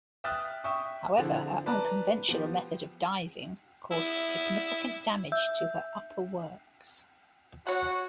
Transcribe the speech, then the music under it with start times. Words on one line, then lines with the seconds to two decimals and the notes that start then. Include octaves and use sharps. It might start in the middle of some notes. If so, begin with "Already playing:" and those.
However, her unconventional method of diving caused significant damage to her upper works.
0.24 E5 G5 D#6 F6 F#6 A6
0.64 E5 G5 C#6 D#6
1.18 D3 F3 C4 E4
1.66 B4 D5 A5 A#5
2.28 F3 B3 G4
3.91 E4
5.32 E5 E6 G6
7.67 F#4 C#5 F#5